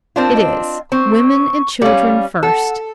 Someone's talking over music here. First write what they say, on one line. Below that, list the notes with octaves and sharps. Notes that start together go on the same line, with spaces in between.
It is, "Women and children first!"
C4 D4 F4 A#4
D#5
C4 C#6
G3 C#4 F5
A4 F#5